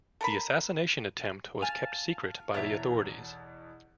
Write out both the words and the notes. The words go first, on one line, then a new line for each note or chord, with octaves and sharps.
The assassination attempt was kept secret by the authorities.
A4 A#4 B5
F5 G#5 A5
E2 B2 A4 C#5 E5 A#5